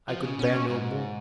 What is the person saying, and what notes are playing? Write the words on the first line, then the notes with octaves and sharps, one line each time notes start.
I could bear no more.
F3
C#3
B2 C#4
A#2
G#2